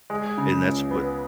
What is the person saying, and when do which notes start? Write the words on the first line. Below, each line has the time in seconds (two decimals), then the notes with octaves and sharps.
And that's what
0.10 G#3
0.38 C#3
0.64 C#2
0.91 B3